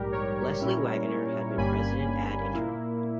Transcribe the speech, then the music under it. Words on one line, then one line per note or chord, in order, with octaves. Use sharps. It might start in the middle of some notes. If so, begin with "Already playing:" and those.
Leslie Waggener had been president ad interim.
Already playing: A#1 G#2 G3 G4 A#4
A#4 C#5
A#2 G3 C#4 E4
G1 G2 G3 A#3 C#4 G#5 B5
A#2 A#3 E4